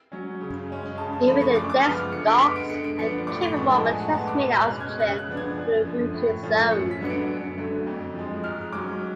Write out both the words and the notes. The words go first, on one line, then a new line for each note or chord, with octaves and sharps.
Even the dead stalks are capable of transmitting oxygen to the rooting zone.
F#3 C#4
C#3
G#3 C#4
C#3 A5
A5
F3 A3 D4 B5
C#6
F#2 D6
D6
C#3 F3 B3 F6
F6
D3 C#7
D7
G#3 B3 B6
D7
D3 C#7
D7
F3 B3 D4 C#7
A2 D6
C#6
F3 G#3 B3 D4 B5
A5
A2 G#5
F#5
G#3 B3 A5
D6
B2
F6
F#6
G#3 C#4
G#6
C#3 F#6
F#6
F3 B3 D4
G#6
F#2
D3 F3
A2
F3 A3 C#4
F#2 C#7
B6
D3 F#3 B3 D4 C#7
D7
F#2
D3 F#3 A3
F2
F3 G#3
G#2 F6
F#3 C#4 D6